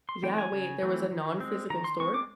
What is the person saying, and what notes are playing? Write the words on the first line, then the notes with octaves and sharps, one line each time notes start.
Yeah, wait, there was a nonphysical store?
C6
E3 A3 C4 G5
G#5
C#3
E3 A3 C4
D#3
G#3 C4
D#3 A#5
C6
G#3 C4 C#6
D6